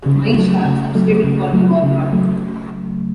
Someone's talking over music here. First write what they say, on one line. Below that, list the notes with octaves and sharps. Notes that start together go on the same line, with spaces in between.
Mike Sharpe substituted for The Warlord.
C#3
F#3 A3
C#3
F#3 A3
C#3
F#3 A3
C#3
F#3 A3